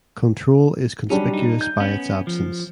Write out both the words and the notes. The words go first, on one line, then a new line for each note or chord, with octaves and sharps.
Control is conspicuous by its absence.
F#3 G3 C#4 D4
D#4
G6
B3 C#4
F3